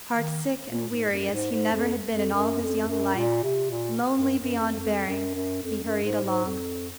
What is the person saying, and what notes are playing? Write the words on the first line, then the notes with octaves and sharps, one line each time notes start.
Heartsick and weary as he never had been in all his young life, lonely beyond bearing, he hurried along.
D#3
A#2
G#2
F#2
G#2
G#2
F2
F2
F#2
F2
F#2
A#2
C3
A#2
F#2
F#2
F2
F2
F#2
F#2
F2
F#2
G#2
G#2
F2